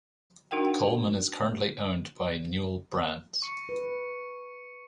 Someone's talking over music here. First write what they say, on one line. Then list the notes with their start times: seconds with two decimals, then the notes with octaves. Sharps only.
Coleman is currently owned by Newell Brands.
0.51 D4 D#4 F#4 A#4 F#5 G5
3.42 C#6 C#7
3.69 B4